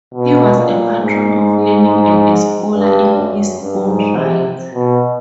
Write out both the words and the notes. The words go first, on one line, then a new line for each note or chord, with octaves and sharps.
He was a patron of learning and a scholar in his own right.
B2
A#2
G#2
G2
F#2
G2
G#2
C3
B2